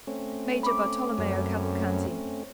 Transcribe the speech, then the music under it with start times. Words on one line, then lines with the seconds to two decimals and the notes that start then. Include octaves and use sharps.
Major Bartolomeo Cavalcanti.
0.07 A3 C4 C#4
0.63 B5 D6
1.18 F#2